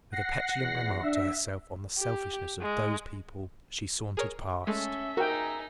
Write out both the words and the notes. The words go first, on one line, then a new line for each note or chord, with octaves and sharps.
With a petulant remark to herself on the selfishness of "those people," she sauntered past.
F#5 A#6 C7
E2
D4 E5
G4
G#3
G#4 A#4 C#5
G#3 A3 C#4 A4 E5
D#4 F#4 G#4 A#4 G5